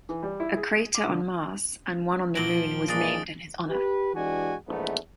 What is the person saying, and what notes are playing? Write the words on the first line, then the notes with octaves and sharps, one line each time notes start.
A crater on Mars and one on the Moon was named in his honor.
E3
G3
E4
G#4
D6
D3
A#2 F3 F#3 D7 F#7 G7
A#2 G#3 D4 D#6 A6 D7
G4 B4
E3 G#3 D4 F#4 G4 G#5
A#1 E2 G#2 A3 B3 D#4